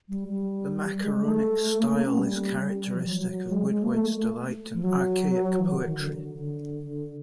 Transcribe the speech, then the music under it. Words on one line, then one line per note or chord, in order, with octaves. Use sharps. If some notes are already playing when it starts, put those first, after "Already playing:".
The macaronic style is characteristic of Woodward's delight in archaic poetry.
G3
G3
G#3
A3
A#3
A#3
C#4
G3
F3
F#3
F#3
F#3
G#3
G#3
A#3
A3
F3
F#3
E3
D#3
D#3
D3
D3